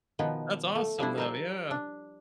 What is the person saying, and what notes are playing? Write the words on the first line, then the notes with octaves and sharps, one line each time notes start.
That's awesome, though. Yeah.
B2 D#3 F3 B3
A3
F3 G3 D4 E4
A#4 C5 A5
D4